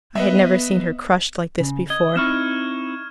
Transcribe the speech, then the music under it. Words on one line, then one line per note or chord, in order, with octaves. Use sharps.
I had never seen her crushed like this before.
B3 B4 D#5 E5
C#3
D#5 G#6
C4 D#4 E4 C#6 F6 E7